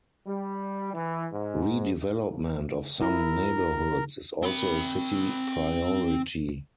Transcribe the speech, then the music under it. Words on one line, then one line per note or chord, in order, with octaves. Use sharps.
Redevelopment of some neighborhoods is also a city priority.
G3
E3
G#2
E4 A#4
C4 B5